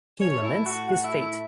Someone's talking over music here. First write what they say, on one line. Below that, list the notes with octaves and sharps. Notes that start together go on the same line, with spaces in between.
He laments his fate.
A2 A3 C#4 C#5
E4 E5
F#4 F#5
F#4 F#5
E4 E5
E4 E5